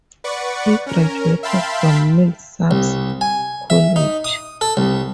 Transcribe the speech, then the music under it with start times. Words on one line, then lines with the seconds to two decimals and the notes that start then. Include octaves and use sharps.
He graduated from Millsaps College.
0.24 B4 D5 F#5 C#6
0.86 C#4 A#4
1.43 E5 F5 G5 A5 B5 C6
2.71 C2
3.21 G#5
3.70 E5
3.96 D#4
4.24 D#6
4.61 A4
4.77 C2